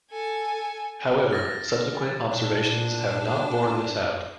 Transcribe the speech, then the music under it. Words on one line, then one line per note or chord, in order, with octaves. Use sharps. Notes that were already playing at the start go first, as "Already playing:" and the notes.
However, subsequent observations have not born this out.
A4 G#5
F6 A6 A#6
A#2 D4